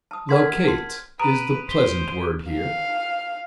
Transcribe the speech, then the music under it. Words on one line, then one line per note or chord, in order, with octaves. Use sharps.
"Locate" is the pleasant word here.
A5 D#6
A#4 F#5 C6 F6 G#6 B6
A5 C6
B4 A#5 D#6 D7 D#7
C5 B6 G7
F5